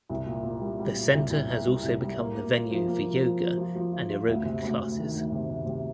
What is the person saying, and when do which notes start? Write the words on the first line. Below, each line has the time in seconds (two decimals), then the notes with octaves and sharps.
The center has also become the venue for yoga and aerobic classes.
0.09 C2
0.26 A#2
0.43 A#2
0.61 G3
0.79 G3
0.95 A#2
1.13 C2
1.30 C2
1.48 A#2
1.66 G3
1.83 C2
2.01 G3
2.18 A#3
2.35 A#3
2.54 F4
2.71 F3
2.88 A#3
3.05 F3
3.22 F3
3.41 F3
3.57 F3
3.75 F3
3.93 F4
4.10 F4
4.28 D2
4.45 C3
4.62 D2
4.79 D2
4.97 D#3
5.15 D2
5.32 C3
5.50 C3
5.66 C3